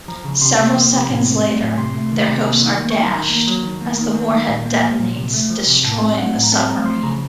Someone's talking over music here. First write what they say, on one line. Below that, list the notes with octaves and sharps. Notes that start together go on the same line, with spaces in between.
Several seconds later, their hopes are dashed as the warhead detonates, destroying the submarine.
F3 A#5
C#3
C3 C6
A#3
F3
C3
A2
C4
A3
A2
C3 C6
A3
D#3
C3
A#3
D#3
A#3
C#6
D#3
C6
D#3 A#5
A#3
F#3
D#3
A#3
D#3
A#3
D#3
A#2
A#3
F3
A#2
C3
A3
F3
C3
A2 A5
C4
A3 F#5
A2
A#5
C4 A5
A3 A#5
F3 C6
C#3 A#5